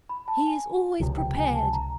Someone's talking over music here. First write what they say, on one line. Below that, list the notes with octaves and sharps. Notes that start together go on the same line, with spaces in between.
'He is always prepared!
B5
A5
G#5
C#2 C3 F3
G5
G#5
A5
A#5